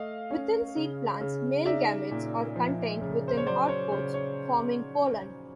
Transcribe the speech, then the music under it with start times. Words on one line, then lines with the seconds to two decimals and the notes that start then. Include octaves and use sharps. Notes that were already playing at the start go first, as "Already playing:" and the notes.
Within seed plants, male gametes are contained within hard coats, forming pollen.
Already playing: A3 D#5 F5
0.31 C#4
0.76 C#3
1.21 C#3
1.66 D#4 D5 E5
2.11 A#2
2.56 F3
3.01 C#3
3.28 C5
3.38 C#5
3.46 F#3 C5 D5
3.68 C#5
3.92 C#3 C5
4.14 C#5